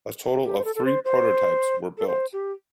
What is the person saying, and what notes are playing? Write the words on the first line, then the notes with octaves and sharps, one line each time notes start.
A total of three prototypes were built.
G4
C5
A4
A4
C5
C5
A4
C5
G4